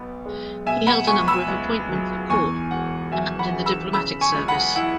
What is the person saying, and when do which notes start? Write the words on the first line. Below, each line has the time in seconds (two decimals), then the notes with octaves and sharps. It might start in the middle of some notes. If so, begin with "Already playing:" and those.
He held a number of appointments at court and in the diplomatic service.
Already playing: B1 B2 B3
0.26 G#3
0.66 B2 E5 G#5
0.87 F#5 B5
1.07 C#2 G#5 C#6
1.28 B5 E6
1.48 C#2
1.89 F#3
2.30 E2 G#5 C#6
2.71 E1 F#5
3.12 F#3 E5 G#5
3.39 F#5 B5
3.53 C#3
3.66 B5 E6
3.93 C#3 B5 E6
4.21 G#5 C#6
4.34 C#2
4.48 F#5 B5
4.75 E4 F#5